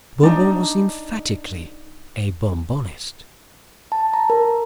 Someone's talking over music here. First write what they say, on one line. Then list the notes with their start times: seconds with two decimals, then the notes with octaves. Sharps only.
Bon-Bon was emphatically a--Bon-Bonist.
0.23 D4 D#4
3.92 A5
4.14 A#5
4.30 A#4